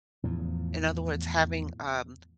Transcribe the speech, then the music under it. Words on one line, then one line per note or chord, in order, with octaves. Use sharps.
In other words, having, um,
E2 A2 F3